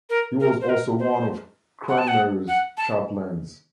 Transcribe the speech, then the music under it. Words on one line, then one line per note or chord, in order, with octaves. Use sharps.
He was also one of Cranmer's chaplains.
A#4
A#4
C5
A#4
C5
F#5
A5
F#5
F#5
A5